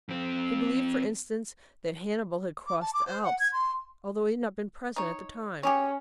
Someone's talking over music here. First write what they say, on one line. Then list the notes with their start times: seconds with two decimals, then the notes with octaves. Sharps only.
He believed, for instance, that Hannibal had crossed the Alps, although he had not been present at the time.
0.09 F2 C4
2.66 D6
2.81 A5
2.93 D6
3.06 C5
3.23 F#5
3.39 G#6
3.52 C6
4.96 D#4 C#5
5.63 C#4 G4 G#4 C#5